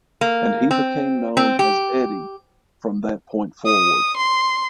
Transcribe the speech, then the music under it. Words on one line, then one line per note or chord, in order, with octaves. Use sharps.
And he became known as Eddy from that point forward.
A#3
C4
C4
G4
D#6
C6